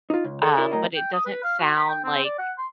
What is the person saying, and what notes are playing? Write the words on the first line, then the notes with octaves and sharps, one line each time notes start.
Um, but it doesn't sound like
D#4 F4
C#2
G#4 A4 D5 F#5
E4 F#4 A#4 C#5 D5
F#2 A2 A#4 D#5 A#5
G5
D#6
B4
F5
F#4
B5
G5
C4
D5
F#5
C6